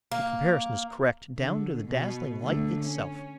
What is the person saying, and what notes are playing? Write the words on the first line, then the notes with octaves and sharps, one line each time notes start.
The comparison is correct down to the dazzling light itself.
A#3
D3
B2
D3 A3
C#4